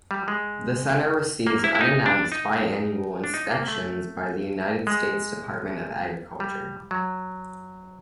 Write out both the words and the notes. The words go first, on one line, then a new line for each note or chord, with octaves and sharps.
The center receives unannounced bi-annual inspections by the United States Department of Agriculture.
G3
G#3
A#3
E4
E4
D#4
D4
D#4
D4
D#4
A#3
A3
G#3
G3
F#3